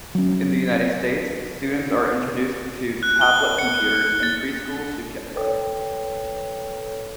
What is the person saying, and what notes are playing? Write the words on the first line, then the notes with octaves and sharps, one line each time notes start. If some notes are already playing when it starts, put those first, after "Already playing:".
In the United States, students are introduced to tablet computers in preschool or kindergarten.
F#3 C#4
F#6
G7
C#7
A6
A4 B4 C#5 G5